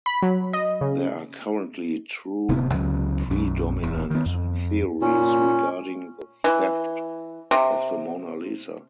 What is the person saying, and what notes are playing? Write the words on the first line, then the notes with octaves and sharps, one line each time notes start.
There are currently two predominant theories regarding the theft of the "Mona Lisa".
B5
F#3
D#5
C#3
D1 C3 B3
C#2 F#3 C#4
B1 F#2
D1 E2
D#3 B3
F2
A#2 C#4
E3
C3